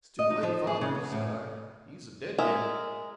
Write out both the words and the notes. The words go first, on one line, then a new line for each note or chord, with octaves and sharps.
'It's too late, father,' said I; 'he's a dead man.
D#5
D#4
F3
G#4
C#3
B3
A2
G#3 A#4 E5